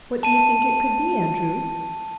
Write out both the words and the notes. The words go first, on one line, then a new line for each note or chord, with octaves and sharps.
"What do you think it could be, Andrew?"
A5 D#7